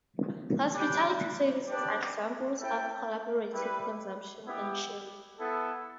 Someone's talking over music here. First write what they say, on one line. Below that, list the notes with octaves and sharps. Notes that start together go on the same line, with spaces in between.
Hospitality services are examples of collaborative consumption and sharing.
G3 D4 G4 D5 G5
B3 D4 G4 D5
E4 A4 G5
G3 E4 B4
B3 E4 G4
B3 E4 A4